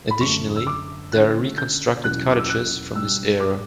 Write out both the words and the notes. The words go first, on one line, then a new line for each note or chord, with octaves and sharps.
Additionally, there are reconstructed cottages from this era.
B5
F#2 D3 A3 D4 C#6
E6
D6
D3 A3 C#4 F#6
G6
E2 B2 F#3 C#4 F#6
D6
E6
F#6
B2 G3 D4 E6
D6